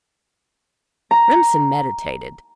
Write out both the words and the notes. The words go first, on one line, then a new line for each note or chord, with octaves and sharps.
Remsen meditated.
A#5